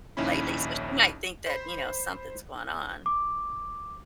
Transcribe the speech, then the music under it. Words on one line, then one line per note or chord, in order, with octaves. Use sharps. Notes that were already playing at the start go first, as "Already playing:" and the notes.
lately, so she might think that, you know, something's going on.
A#1 D#2 C#4 D#4 E4 B5
C5 B5
D6